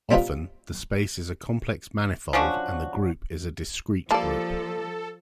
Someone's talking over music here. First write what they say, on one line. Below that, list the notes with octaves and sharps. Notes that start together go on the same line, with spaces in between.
Often the space is a complex manifold and the group is a discrete group.
G3 C4 D#4 F4 B4
F3 C#4 D4 F#4
F3 G3 A#3 A4 D5 A5